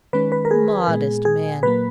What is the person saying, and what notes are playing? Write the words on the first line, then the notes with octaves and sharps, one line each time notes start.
'Modest man!
D#3 G#3 C#4 B4
B4
A#4
G#4
A#2 G#3 B3
G#4
A#2 F#3 A#3 B4